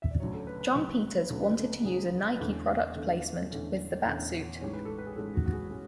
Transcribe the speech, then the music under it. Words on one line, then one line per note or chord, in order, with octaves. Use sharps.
Jon Peters wanted to use a Nike product placement with the Batsuit.
E5
D5
D2 C#3 F#3 C#5
A4
C#5
B4
B4
D2 C#3 F#3
D2 C#3 F#3 A4
B4
A4
D2 C#3 F#3 G#4
B4
E2 D3 A3 C#4 A4
E2 D3 A3 C#4
E2 D3 A3 C#4
E2 D3 A3 C#4
A1 G#2 G#3 C#4 C#5
B4
A4
B4
G#4
A1 G#2 G#3 C#4 A4
F#4
F#4
G#4
G#3 C#4